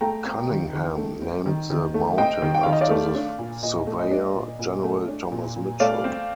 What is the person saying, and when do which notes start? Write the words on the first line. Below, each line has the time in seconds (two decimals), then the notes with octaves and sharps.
Cunningham named the mountain after the Surveyor-General, Thomas Mitchell.
0.01 A3 G5 A#5
0.25 C4
0.50 D#3
0.73 D#3
0.97 A3
1.22 C4
1.46 D#3
1.70 D#3
1.94 A3
2.18 C4 D#5 G5
2.42 D#3
2.54 G5
2.63 D#3 F5
2.73 D#5
2.81 D5 F5
2.90 A3
3.15 D4
3.39 A#2
3.63 A#2 D#5
3.87 A3
3.99 D#5
4.11 D4
4.35 A#2
4.59 A#2
4.84 A3
5.08 D4
5.32 A#2
5.56 A#2
5.80 A3 D5 F5
6.04 C4